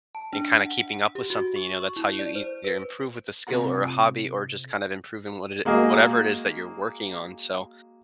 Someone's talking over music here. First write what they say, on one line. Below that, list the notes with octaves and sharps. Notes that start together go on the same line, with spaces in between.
and kinda keeping up with something, you know, that's how you either improve with a skill or a hobby or just kind of improving what it whatever it is that you're working on, so.
A5
D4
F#5
F#5
G4
F#4
C#6
C#6
E4
D5
C5
B4
C3 C4 F4 A4 F#5 A#5
G#3 A#3 F#4 G#4 D#5